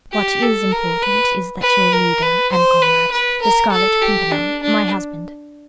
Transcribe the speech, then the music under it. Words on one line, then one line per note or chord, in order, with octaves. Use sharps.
What is important is that your leader and comrade, the Scarlet Pimpernel . . . my husband . . .
G4
A4
A#4
B4
B4
A#4
B4
C5
B4
B4
A#4
A4
G4
D4
D4